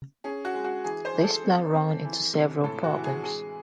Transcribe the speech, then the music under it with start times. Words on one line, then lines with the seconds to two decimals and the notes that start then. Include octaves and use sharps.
This plan ran into several problems.
0.24 C#4 G#4
0.45 F#4
0.54 G#3
0.64 F#4
0.84 E3 G#4
1.05 C5
1.14 E3
1.20 G#4
1.24 A4
1.44 C4
1.74 C4
2.04 E3
2.34 C3
2.63 A2 A4
2.84 F#4
2.94 E3
3.04 G#4
3.23 G#3 G#4